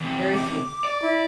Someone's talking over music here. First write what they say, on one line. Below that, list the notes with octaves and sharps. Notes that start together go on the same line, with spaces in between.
"Very few."
E2 C3
D6
D5
E4